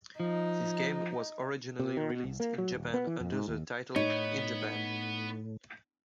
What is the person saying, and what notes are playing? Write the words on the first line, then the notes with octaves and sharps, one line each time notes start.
This game was originally released in Japan under the title in Japan.
F3 D#4
C3
D#3
B2
C2
A#3
F#3
D#1
B3
E3
F2
G#2
D#2
A2 B3 D#4 C#5